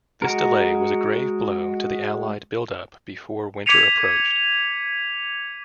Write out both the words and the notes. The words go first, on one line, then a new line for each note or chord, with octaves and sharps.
This delay was a grave blow to the Allied build-up before winter approached.
G#3 F#4 A#4
D6 G#6 B6 C#7 D#7 F7